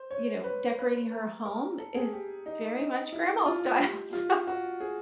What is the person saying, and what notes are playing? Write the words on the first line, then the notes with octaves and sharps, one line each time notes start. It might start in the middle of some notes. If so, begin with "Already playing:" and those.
you know, decorating her home is very much grandma style, so
Already playing: C5
C#5
B4
B4
A#4
A#4
A4
G#4
G4
D#4
D#4
E4
F4
G4
F4
F#4
G#4